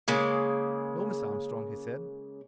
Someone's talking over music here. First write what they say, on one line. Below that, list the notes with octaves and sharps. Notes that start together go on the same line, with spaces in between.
"No, Miss Armstrong," he said.
C#3 G#3 A#3